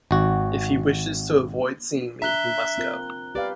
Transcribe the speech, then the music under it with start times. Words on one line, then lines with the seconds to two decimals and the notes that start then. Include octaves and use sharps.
If he wishes to avoid seeing me, he must go.
0.11 G#1 F#4
2.22 D4 E5 A#5 F#6 G7
2.78 C4 F4 A#4
3.35 G4 B4 D5 F5